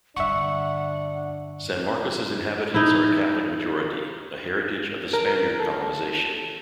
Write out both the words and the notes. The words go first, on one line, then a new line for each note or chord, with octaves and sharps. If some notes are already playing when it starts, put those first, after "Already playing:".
San Marcos' inhabitants are a Catholic majority, a heritage of the Spaniard Colonization.
G2 D3 D4 E5 F#5 C#6
D#4 E4
A#4
A4